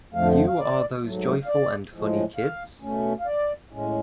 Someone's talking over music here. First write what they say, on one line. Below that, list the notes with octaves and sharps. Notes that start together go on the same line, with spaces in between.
You are those joyful and funny kids?
F2 D3 F3 A3 F5
F5
D5
G#2 F#3 A3
F5
D5
A2 F3 G#3
F5
B2 A3 C#4
F5
D5
A2 G#3 C#4